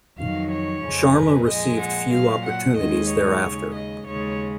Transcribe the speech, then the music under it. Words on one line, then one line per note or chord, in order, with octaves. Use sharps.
Sharma received few opportunities thereafter.
F2 D#3 F#3 F5
C#5
F2 C#3 F3 G#3
B4
A#2 F3 G#3 D#5
F#5
A#2 F#3 F5
F#5
D#2 D#3 G#3 D#5
C#5
D#2 C#3 G#3
D#5
D#2 C#3 G#3 C#5